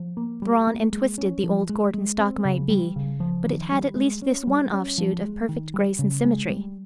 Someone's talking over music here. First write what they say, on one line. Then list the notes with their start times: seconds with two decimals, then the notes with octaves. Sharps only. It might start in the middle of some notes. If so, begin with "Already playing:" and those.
Thrawn and twisted the old Gordon stock might be, but it had at least this one offshoot of perfect grace and symmetry.
Already playing: F3
0.17 A#3
0.42 G3
0.67 A#3
0.93 G#3
1.18 C#4
1.44 F3
1.69 G#3
1.94 G#3
2.19 C4
2.45 C#3
2.70 G3
2.96 C#3
3.20 F3
3.46 D#3
3.72 G3
3.96 G#3
4.22 C#4
4.47 G3
4.73 C#4
4.98 F3
5.24 G#3
5.49 D#3
5.74 G3
5.99 C#3
6.25 G#3
6.50 G3